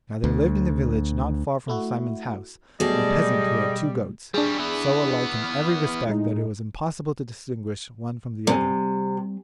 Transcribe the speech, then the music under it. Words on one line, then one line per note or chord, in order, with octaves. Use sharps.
Now there lived in the village not far from Simon's house, a peasant who had two goats, so alike in every respect that it was impossible to distinguish one from the other.
D2
A3 E4 F#4
B2 F#3 G3 A3 G#4 A4 D#5
G3 C#4 D4 G#4
E3 B3
F6
A2 G#3 D#4
C3 G3 C4 G#5